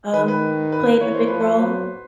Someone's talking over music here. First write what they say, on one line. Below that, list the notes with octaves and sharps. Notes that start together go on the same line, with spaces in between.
um, played a big role
D#3 B4
B4
B4
E3 C#5
C5
F3 B4
C5
F#3 B4
C5